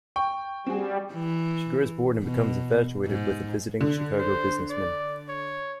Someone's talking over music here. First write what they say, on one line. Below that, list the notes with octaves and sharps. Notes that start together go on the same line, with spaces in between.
She grows bored and becomes infatuated with a visiting Chicago businessman.
G5 C#6
G3 C4 F#4 G#4
E3
B2
G#2
D3
C5
D5
C#5